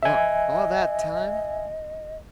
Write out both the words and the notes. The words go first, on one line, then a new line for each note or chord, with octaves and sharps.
"What, all that time?"
D#5 E5 G#5